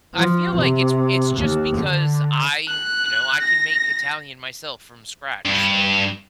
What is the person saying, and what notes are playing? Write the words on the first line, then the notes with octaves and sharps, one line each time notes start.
I feel like it's it's just because I, you know, I can make Italian myself from scratch. So
F3
C3
D#2
D3
F#6
A#6
G2